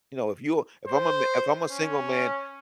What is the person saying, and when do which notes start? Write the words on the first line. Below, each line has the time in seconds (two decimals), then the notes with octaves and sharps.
You know, if you if I'm a m if I'm a single man,
0.87 C5
1.71 C#4